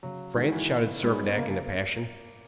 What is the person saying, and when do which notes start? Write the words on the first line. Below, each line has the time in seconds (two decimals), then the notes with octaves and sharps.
"France!" shouted Servadac in a passion.
0.03 C#3 F#3
0.36 D#3 G#3 D#4 F#4
0.52 E3
0.69 C#3 B3
1.03 G#3 B3 D#4 F#4
1.11 C#4
1.20 B3
1.36 C#3 A#3